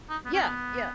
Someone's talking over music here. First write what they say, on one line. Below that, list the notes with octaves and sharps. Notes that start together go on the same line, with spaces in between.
Yeah, yeah.
D#4
B3
C#4
B3